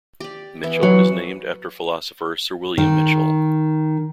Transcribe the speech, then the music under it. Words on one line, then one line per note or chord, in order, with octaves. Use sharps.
Mitchell is named after philosopher Sir William Mitchell.
G4 D5
E3 B3 E4
F#3
D#3